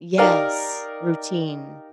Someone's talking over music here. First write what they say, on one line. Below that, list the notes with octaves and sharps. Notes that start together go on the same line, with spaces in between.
Yes. Routine.
D#4 G4 A#4 D5 F5